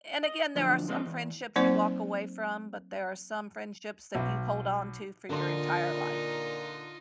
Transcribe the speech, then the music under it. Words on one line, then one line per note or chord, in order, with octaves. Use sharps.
and again, there are some friendships you walk away from, but there are some friendships that you hold on to for your entire life.
D#5
D2 F3 F#3 D4
F3 G#3 C4 G#4 B4 D#5
E2
F#3 A#3 C4 D#4 C5 D5
B1
A#2 D3 D#4 F4 C6